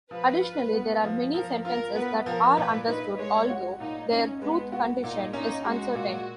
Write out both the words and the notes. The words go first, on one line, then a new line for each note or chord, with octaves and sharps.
Additionally, there are many sentences that are understood although their truth condition is uncertain.
F3 B4
F4
B3
F3
F3 A#4
F4 A#4
B3 B4
F3 A#4
A#2 B4
D#4 B4
G#3 C#5
F#4
A#2 D#4
C#4 D#4
G#3 B3
B3 F#4
A#2 D#4
C#4 D#4
G#3 F#4
A#2